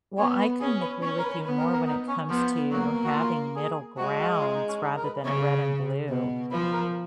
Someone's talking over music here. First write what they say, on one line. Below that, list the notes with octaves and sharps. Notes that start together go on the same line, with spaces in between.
Well, I couldn't agree with you more when it comes to having middle grounds rather than red and blue.
B3 C#5
B4
C#4 G#4
B4
C#4 C#5
A#4
B4
B3 B4
A#4
A#4
D#4
C#4
F3 B3
F#3 A#3
F#4
F4
G#4
G#3 F#4
F#4
F4
D#4
C#4
D#4
A#4
B4
C#3 C#5
B2
F3 B4
A#4